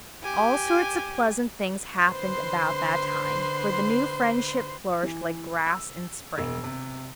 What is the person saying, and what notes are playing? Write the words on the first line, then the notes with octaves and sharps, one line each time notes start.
All sorts of pleasant things happened about that time, for the new friendship flourished like grass in spring.
G4 G#5
D3 B4 C5 C6
E3
E6
E1
C3